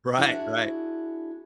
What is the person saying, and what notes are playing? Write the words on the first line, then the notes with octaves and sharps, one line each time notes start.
Right, right.
D4 E4 F#4 G#4